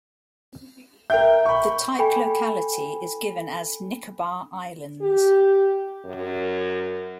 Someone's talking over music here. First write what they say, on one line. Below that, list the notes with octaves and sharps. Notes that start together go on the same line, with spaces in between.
The type locality is given as "Nicobar Islands".
A#4 E5 G5 G6
B5 C#6
A4 G5 G#5 B5
G4
F#2